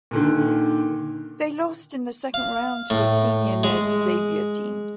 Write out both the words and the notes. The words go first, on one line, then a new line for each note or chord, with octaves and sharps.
They lost in the second round to a senior-led Xavier team.
A#2 D3 D#3
F5
A2
G#3